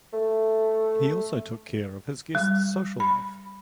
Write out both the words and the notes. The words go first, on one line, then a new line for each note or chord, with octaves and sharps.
He also took care of his guests' social life.
A3
G3
B5